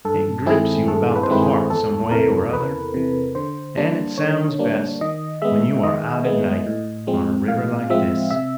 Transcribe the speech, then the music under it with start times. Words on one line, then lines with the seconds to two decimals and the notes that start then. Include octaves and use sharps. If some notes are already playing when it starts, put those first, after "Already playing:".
It grips you about the heart some way or other, an' it sounds best when you are out at night on a river like this.
0.05 G2 A4
0.46 D#3 G#3 C4 E4 G#4
0.87 G2 A4
1.16 B4
1.23 C5
1.29 D#3 G#3 C4 E4 B4
1.42 G#4
1.70 E2 A4
2.11 C3 E3 A#4
2.53 E2 B4
2.94 C3 E3
3.35 D3 C5
3.77 G3 A#3 D4
4.18 D3 C#5
4.59 G3 A#3 D4
5.01 D#3 D#5
5.42 G#3 B3 E5
5.83 D#3 D#5
6.25 G#3 B3
6.66 A2
7.07 F3 G#3 C4
7.48 A2 F5
7.90 F3 G#3 C4 E5
8.31 C3 E5